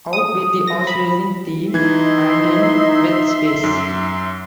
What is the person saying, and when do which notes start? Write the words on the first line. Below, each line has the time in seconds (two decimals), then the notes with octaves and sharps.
Out with the horse-racing theme and in with space.
0.13 D#6
0.67 A#6
0.87 B5
1.74 E3 D#4 E5 C6 G#6
3.64 F#2